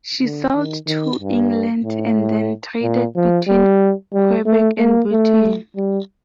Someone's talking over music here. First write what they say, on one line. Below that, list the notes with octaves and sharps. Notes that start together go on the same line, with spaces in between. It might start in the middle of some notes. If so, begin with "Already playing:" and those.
She sailed to England and then traded between Quebec and Britain.
D3
D#3
D#3
G2
A2
A#2
F3
G3
G3
A3
A#3
A3
G3